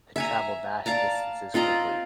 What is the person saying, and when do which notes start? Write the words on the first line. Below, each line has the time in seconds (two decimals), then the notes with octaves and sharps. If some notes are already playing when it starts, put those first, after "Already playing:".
to travel vast distances quickly.
0.16 E5 G#5 A#5
0.86 D5 F5 A5 A#5
1.54 C4 F4 D#5 A#5